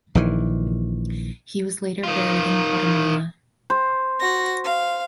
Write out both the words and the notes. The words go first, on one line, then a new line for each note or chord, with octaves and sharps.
He was later buried in Guatemala.
A#1 D#3 E3
D#3 F4
C5
F#4 A#6
F5